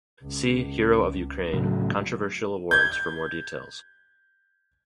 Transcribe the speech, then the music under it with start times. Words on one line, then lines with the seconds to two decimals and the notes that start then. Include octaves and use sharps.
See Hero of Ukraine: Controversial awards for more details.
0.22 C#2
1.53 A2 C#3 F#3
2.71 G6 G#6